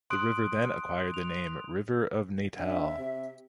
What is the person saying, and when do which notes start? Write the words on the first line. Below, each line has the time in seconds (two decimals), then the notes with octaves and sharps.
The river then acquired the name "River of Natal".
0.10 C6 D#6 F#6 D7
1.14 F7
2.58 D4 E5
2.98 C3